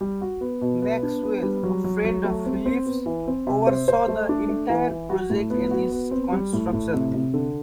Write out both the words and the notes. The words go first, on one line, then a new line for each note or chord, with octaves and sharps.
Maxwell, a friend of Phillips, oversaw the entire project and its construction.
G3
F#4
B3
B2
B3
D4
B3
G3
F#3
F#3
F#3
A3
C4
C4
B3
E3
C4
C3
C5
C5
A3
D4
A3
E3
E3
F#4
A2
B3
F#4
B3
C4
G3
A2
A2
C3
C3
D3